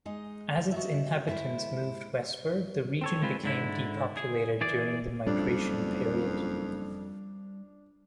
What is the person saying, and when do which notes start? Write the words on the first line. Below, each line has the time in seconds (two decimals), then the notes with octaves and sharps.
As its inhabitants moved westward, the region became depopulated during the Migration Period.
0.05 G#3 D#4 D#5
0.72 F#4 D#5 E5
1.27 G#2 E4 C5 E5 G#5
3.01 C4 A4 C#5
3.22 G#3 C4 F4 B4 G#5
3.44 G#2 D3 E4
4.17 G#4
4.61 E3 G#4 D5
5.26 F#1 F2 G3 D4